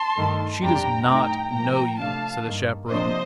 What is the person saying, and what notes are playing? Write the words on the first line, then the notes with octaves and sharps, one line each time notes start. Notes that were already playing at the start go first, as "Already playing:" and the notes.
"She does not know you," said the chaperone.
Already playing: A5 C6
G2 D#3 A3
F2 C3 G3 D4 G5 A#5
A2 A3 D#4 G5 A#5
A2 F3 A#3 G5 A#5
C3 F3 A3 D4 F5 A5
G2 D#3 A#3
C3 F3 A#3 D4 C5 D#5